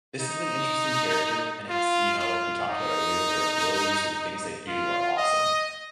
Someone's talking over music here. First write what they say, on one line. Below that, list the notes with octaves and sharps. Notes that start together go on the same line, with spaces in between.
this is an interesting character, and it's you know, like we talked about earlier, their abilities or the things they do are awesome,
D#4
F4
F4
D#4
F4
D#5